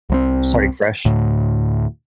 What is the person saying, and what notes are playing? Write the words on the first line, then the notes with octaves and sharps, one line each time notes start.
Starting fresh.
C2 F#3 C4
D2 A2